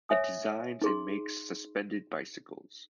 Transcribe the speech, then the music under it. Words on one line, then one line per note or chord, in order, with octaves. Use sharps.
It designs and makes suspended bicycles.
C#5 E5 G#5 D#6
D#4 G#4 C6